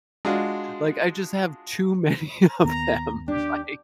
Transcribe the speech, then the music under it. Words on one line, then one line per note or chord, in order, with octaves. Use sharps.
like, I just have too many of them, like
G#3 D4 F4 F#4
D#2 D#3 B3 A#5
D4 G4